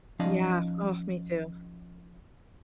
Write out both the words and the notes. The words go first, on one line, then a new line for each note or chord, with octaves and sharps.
Yeah. Oh, me too.
F3 C#4 D#4 D5 D#5 F5